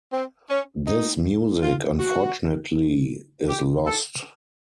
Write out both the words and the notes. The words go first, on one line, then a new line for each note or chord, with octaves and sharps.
This music unfortunately is lost.
C4
C#4
D#4
F4
F#4
G4
A4